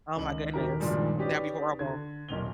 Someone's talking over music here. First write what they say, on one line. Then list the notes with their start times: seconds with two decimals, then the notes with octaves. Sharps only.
Oh, my goodness. That'd be horrible.
0.16 C#2 D#3 F#7
0.53 D#1 D#3 G4 A#4 A#5
0.80 G2 A#2 D#3 F3 G3 G#3
1.18 C#4 D#4 G4 B4 D5
1.79 D3 G#6
2.29 D#1 B1 A#2 F7 G7